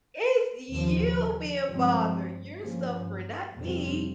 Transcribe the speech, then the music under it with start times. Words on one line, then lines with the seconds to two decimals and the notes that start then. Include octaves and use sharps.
It's you being bothered. You're suffering, not me.
0.71 D#2 C#3 F3
1.67 G2 F3 G#3 C4
2.61 G2 F3 A#3 C#4
3.56 F2 C3 G3 C4